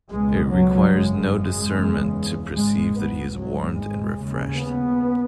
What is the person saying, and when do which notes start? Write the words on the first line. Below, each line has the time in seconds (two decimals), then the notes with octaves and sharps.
It requires no discernment to perceive that he is warmed and refreshed.
0.10 C#2 B2 G#3
0.51 F#3
0.91 G#1 F#2 C#3 G#3
1.32 G#3
1.73 F#1 E2 C#3
2.54 G#1 G#2 G#3
2.95 B3
3.35 G#1 G#2 F#3
3.75 G#3
4.16 D#2 C#3
4.56 B3